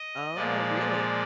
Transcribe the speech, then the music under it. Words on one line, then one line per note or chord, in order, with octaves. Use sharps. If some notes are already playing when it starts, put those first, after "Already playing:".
Oh, really?
Already playing: D#5
A#2 F3 G#3 D5